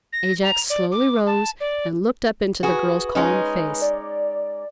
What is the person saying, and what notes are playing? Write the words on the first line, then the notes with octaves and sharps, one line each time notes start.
Ajax slowly rose and looked up into the girl's calm face.
A#6
A#5
D5
D6
A5
D5
F#4 G#4 B4
G#3 C#4 D#4
D5